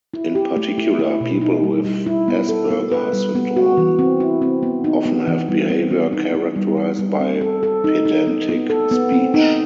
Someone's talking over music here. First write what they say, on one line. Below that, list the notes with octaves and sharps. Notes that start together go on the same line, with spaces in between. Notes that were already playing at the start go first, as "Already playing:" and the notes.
In particular, people with Asperger syndrome often have behaviour characterized by pedantic speech.
E4
G4
A3
E4
E4
B2
D#4
G3
G3
E4
B3
A4
B3
B4
G3
B3
F#4
E3
C4
E4
C4
B3
D#4
B3
E3
G3
C4
B3
D#4
B3
G3
G3
G3
C4
A4
A4
D#4
D#4
B3
B3
A4
B3
C4
D#4